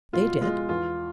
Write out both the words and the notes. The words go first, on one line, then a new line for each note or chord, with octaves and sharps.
"They did."
B2 F4
G#3 F4
E2 F4